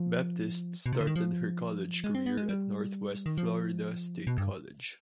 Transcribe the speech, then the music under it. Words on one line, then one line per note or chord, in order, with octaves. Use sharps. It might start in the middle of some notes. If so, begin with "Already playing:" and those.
Baptiste started her college career at Northwest Florida State College.
Already playing: F3
B2
C3
D3
D#3
F3
G#3
C4
B3
G#3
G3
D#3
F3
B2
G2